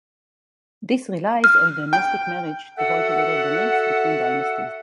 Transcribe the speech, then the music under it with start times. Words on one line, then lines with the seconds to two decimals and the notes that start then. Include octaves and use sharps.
This relies on dynastic marriage to hold together the links between dynasties.
1.44 F6
1.93 G5
2.77 F#4 A4 E5 F#5